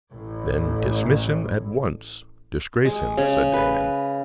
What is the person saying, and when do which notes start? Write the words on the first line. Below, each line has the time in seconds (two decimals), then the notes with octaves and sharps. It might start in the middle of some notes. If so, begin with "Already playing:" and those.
"Then dismiss him at once, disgrace him," said Anne.
0.13 A1 A2
2.85 G#3
3.17 C#3
3.53 B4